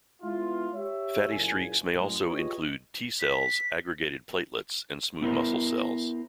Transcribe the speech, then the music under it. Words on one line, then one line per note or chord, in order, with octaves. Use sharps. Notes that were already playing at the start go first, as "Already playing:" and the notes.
Fatty streaks may also include T cells, aggregated platelets, and smooth muscle cells.
G#3 B3 E4 F4
G4 C#5 E5
F#1 A#2 C#3 G#4 G#5
F#2 A2 G#3
F4 G4 G#4 B4 C#5 D#5
B6
B3 E4 G4 A4 A#4 C5